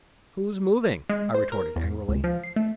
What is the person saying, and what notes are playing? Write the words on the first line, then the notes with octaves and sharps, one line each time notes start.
"Who's moving?" I retorted, angrily.
G#3
C5
A#4
E2
C#2
F3
C7
A3